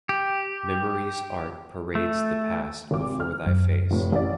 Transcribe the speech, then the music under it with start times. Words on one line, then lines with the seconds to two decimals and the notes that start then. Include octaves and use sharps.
Memory's art parades the past before thy face.
0.09 G4
1.95 A3
2.91 G#1 C3 D6
3.20 F6
3.47 F#2
3.91 F1 A2
4.12 A1 D5